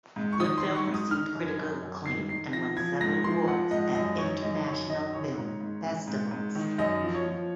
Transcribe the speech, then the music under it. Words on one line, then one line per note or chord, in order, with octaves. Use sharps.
The film received critical acclaim and won several awards at international film festivals.
G#2
C#6
D#3 D#6
C6
D#3
C#6
G#2
D#6
D#3 F6
F#2
G#6
F#2
F#2
D#3 C7
D#3 C7
F3 A#6
F3 G#6
G#2 A#6
F3 C6
F3 F#5
G#2 D#5
F#2 D#5
D#3 C#5
D#3 D#5
F#2 C#5
D#3 D#5
D#3 C#5
G#2
G#2
G#2
G#2
G#2
D#3
F#2 D#5
F3
C#5
F3